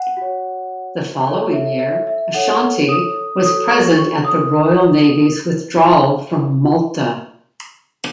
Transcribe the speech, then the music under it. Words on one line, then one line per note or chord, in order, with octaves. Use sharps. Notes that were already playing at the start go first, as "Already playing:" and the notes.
The following year "Ashanti" was present at the Royal Navy's withdrawal from Malta.
Already playing: F#5
F#4 C#5
D#4 A4 C#5
E5
E5
E5
D#4 A4 C#5 F#5
D#6
F#4 A4 C#5 D#6
C#6
C#6
D#6